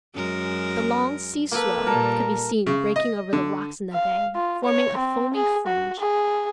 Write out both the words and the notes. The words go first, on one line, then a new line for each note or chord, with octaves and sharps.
The long sea-swell could be seen breaking over the rocks in the bay, forming a foamy fringe.
F#2 G#3 A#4
A#3 A4 B4
A#2 G3 A#4 A5
C#3
D#5
D3
F5
F4
C#5
C4
G#4
F#4
G#4